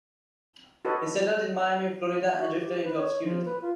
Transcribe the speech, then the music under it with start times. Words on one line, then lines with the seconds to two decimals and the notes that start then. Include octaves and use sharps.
He settled in Miami, Florida and drifted into obscurity.
0.85 F#4 A4 B4 C#5 D#5
2.39 F#4
2.60 G4
2.83 B4
2.97 C#5
3.24 F3
3.45 B4
3.61 F4